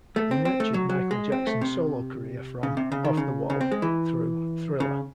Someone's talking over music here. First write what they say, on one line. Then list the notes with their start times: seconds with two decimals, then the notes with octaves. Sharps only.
He nurtured Michael Jackson's solo career from "Off the Wall" through "Thriller".
0.16 A3
0.31 C4
0.45 C4
0.60 A3
0.74 F#3
0.89 F#3
1.11 G#3
1.32 C4
1.47 A3
1.61 C3
2.63 C#3
2.77 C3
2.92 C#3
3.05 D#3
3.17 C#3
3.50 C#3
3.61 C4
3.71 G#3
3.82 E3
4.80 C#3